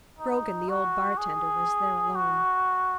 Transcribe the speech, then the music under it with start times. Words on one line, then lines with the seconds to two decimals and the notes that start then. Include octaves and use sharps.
Grogan, the old bartender was there alone.
0.19 D#4
0.69 F#4
1.18 G#4
2.15 F#4